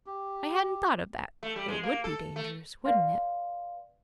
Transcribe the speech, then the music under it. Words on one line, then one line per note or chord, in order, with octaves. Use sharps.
"I hadn't thought of that--it would be dangerous, wouldn't it?"
G4
A3
G3
G#3
A#3
A4
A3
B4 D5 F5 C6